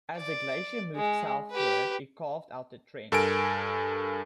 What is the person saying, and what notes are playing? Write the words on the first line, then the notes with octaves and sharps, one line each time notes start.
As the glacier moved southward it carved out the trench.
D5
G#3
G4 B4
G2 A4 A#4 G#5 D7